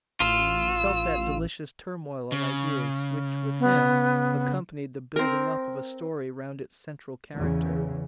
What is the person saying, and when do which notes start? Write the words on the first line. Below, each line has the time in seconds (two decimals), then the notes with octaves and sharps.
He felt that delicious turmoil of ideas which with him accompanied the building up of a story round its central character.
0.20 A1 F4 E6
2.32 C#3
3.60 B3
5.16 C4 A#4
7.36 E2 C#3